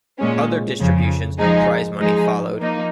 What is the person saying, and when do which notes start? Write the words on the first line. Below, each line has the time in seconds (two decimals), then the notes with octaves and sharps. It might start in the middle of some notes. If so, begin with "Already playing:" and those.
Other distributions of prize money followed.
0.18 A#2 G#3 C#4
0.79 F2 C#3 F3
1.39 F3 G#3 D#4 G#4
1.99 F3 G#3 D#4 G#4
2.59 F3 A#3 D#4